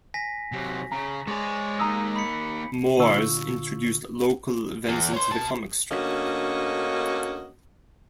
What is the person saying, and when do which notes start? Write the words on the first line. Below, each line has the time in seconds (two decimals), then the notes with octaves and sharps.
Moores introduced local events into the comic strip.
0.14 G#5 A#6 B6
0.52 C3 F#3
0.92 C#3 A#5
1.28 G#3 G#4 C#5 D5
1.79 A#3 D#4 A#5 D#6 E6
2.16 B5 B6 C#7
2.99 A#2 D3 F4 C#6 E6
4.89 E2
5.13 C#5 C6
5.31 B2 A5
5.92 D2 D3 A#3 C#4 F#4 D#5